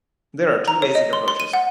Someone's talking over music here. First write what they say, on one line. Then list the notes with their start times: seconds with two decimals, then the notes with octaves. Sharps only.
There are two basic approaches.
0.68 A#5
0.82 C#5
0.95 D#5
1.13 C6
1.28 C6
1.40 D#7
1.53 F#5